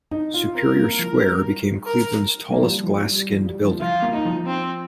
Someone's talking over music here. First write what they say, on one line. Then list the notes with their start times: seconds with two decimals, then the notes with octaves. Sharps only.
Superior Square became Cleveland's tallest glass skinned building.
0.11 D#4
0.34 F4
0.55 C4 A#4
0.77 A#3
0.99 F3
1.20 G3
1.86 A#4
2.51 A#3
2.62 F3
2.67 G3
2.84 F3
2.99 G3
3.16 G3
3.33 F3
3.49 G3
3.65 F3
3.81 F3 F4
4.02 A#3
4.13 D#4
4.25 F3
4.46 C4